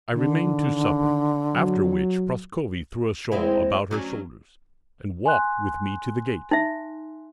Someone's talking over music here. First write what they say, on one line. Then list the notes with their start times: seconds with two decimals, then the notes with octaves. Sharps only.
I remained to supper, after which Prascovie threw a shawl about her shoulders and walked with me to the gate.
0.14 D3 D#3
1.54 F#3
3.32 G#3 C4 E4
3.91 F#3 C#4 D4
5.26 G#5 C6 F#6
6.51 D#4 E5